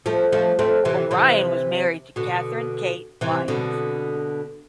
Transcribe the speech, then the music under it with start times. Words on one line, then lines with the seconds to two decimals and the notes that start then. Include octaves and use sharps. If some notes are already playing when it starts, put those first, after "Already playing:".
O'Brien was married to Catherine "Kate" Lyons.
0.06 F3 A3
0.32 F3 A3
0.59 A3 C4
0.85 C3 E3
1.11 C3 E3
2.16 B2 D3
3.21 C3 E3
3.48 B2 D3